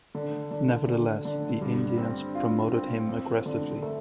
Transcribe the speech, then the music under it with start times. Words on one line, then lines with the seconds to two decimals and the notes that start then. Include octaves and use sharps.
Nevertheless, the Indians promoted him aggressively.
0.15 D3
0.51 D3
0.87 D3
1.25 D3
1.61 G2
1.98 C4
2.35 F4
2.72 C4
3.09 F2
3.46 D3
3.82 A3